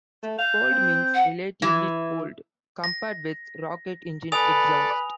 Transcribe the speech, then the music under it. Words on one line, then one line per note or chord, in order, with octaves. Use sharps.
"Cold" means "relatively" cold compared with rocket engine exhaust.
A3
F5 G6
C4
F#5
E3
A#6
A4 B4 D5 G#5 D#6 F7